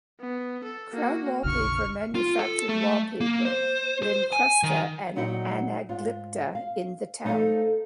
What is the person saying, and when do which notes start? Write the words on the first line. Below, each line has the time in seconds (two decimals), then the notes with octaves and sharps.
Crown Wallpaper manufactured wallpaper, Lincrusta and Anaglypta in the town.
0.20 B3
0.64 A4
0.93 A#3 F#4
1.44 F#1 B1 D3 C#6 F6
2.15 F4
2.39 A4
2.69 A3
3.21 A#3
3.45 C5
4.03 C5
4.33 G#5
4.63 D#3
5.15 A#2 F#3 D#4 E4 F#5 G5
5.89 G#2 F4
6.55 F5
7.25 A3 D#4 A4 C5 E5 F5